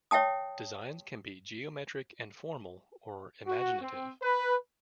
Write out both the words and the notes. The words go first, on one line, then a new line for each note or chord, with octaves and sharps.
Designs can be geometric and formal or imaginative.
C#5 E5 G5 A5 D#6
F#4
C4
B4